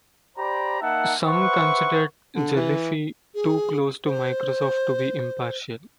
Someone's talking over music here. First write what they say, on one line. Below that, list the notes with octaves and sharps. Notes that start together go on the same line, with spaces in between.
Some considered Jelliffe too close to Microsoft to be impartial.
G4 C5 D5 A#5 B5
A#3 D#4 E5 F#5 A5
B4 C5 E5 F#5 C#6
D3
E3
G#4
C5